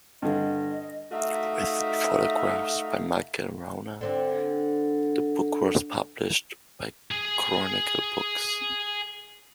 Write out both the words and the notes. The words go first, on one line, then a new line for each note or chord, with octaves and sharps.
With photographs by Michael Rauner, the book was published by Chronicle Books.
G2 D3 D#5
A3 D#4 F#4 E5 F5
D3 C4 D4
G#4 G#5